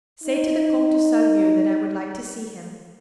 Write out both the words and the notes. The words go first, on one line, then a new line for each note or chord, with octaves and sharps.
"Say to the Comte de Salvieux that I would like to see him."
D#4